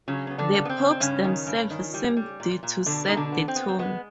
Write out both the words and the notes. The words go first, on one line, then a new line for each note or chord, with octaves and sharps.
The popes themselves seemed to set the tone.
C#3 F#3 C#4
B3 C#4
D3 D4
C#3
B3
C4
C#3
C4
G2 C#3 C#4
D#3
G2
D#3
G3
G3
A#2
A#2
B2 D3 D4
B2 D#4
D3 D4
B3
C4
B3
C4
G#3 B3